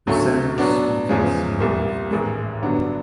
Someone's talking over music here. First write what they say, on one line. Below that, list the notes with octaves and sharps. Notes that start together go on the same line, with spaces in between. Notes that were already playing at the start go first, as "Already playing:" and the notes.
The sound is sweet and smooth.
D2 C#3 F#3 A3
B2 F#3 B3 D4
E2 C#3 F3 G#3 C#4
C2 A#2 G3
A1 G#2 D#3 G#3
G2 D3 F#3 B3 D4